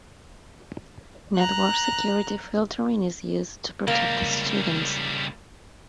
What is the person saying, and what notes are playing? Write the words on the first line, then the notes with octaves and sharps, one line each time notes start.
Network security filtering is used to protect students.
A#5 F#6
C#2 G3 A#3